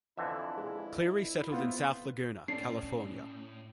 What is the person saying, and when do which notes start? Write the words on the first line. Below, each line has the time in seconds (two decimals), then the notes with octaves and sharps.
Cleary settled in South Laguna, California.
0.17 F2 D3 E3 E4 E5
0.57 G#3
1.52 B3 C4 F4
2.48 A2 C#4 D5 A5 C7